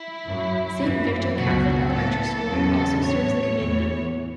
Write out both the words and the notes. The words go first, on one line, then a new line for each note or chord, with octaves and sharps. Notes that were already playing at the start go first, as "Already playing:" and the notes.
Saint Victor Catholic elementary school also serves the community.
Already playing: E4
F#2 F#3
F#2 E3
C#2 B2 F#3 F#4
A2 E3 A4
E2 C#3 F#3
A2 F#3 C#5
E2 E3